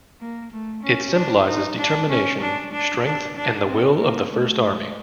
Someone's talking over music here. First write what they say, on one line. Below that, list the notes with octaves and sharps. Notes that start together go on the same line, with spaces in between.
It symbolizes determination, strength and the will of the First Army.
A#3
A3
C#4
D4
D#4
D4
C#4
D4
D4
D4
D4
C4
A#3
A3
G#3